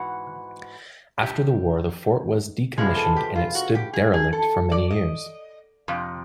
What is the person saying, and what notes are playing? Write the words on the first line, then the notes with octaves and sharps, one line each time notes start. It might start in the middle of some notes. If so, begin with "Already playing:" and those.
After the war, the fort was decommissioned and it stood derelict for many years.
Already playing: G#2 E3 F#4
G4
C3 F3 G#3 B3 G#4
A4
G4
F4
F#4
G4
G#4
G#4
A4
D5
D#5
F2 C3